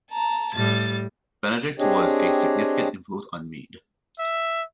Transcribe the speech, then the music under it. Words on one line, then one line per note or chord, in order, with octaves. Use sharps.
Benedict was a significant influence on Mead.
A5 A#5
A2 G3 A6
C4 D4 G4 G#4 C#5 D#5
E5